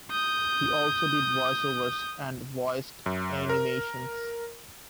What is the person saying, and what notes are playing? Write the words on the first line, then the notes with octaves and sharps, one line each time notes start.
He also did voice-overs, and voiced animations.
D#6 G6
F#2
A#4